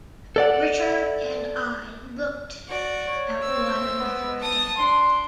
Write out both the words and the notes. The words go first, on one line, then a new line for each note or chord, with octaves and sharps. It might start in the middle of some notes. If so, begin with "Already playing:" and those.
Richard and I looked at one another again.
A4 D5 F#5
F#4 D5
C#5
C4 E6
B3
A5 D#6
D4 C6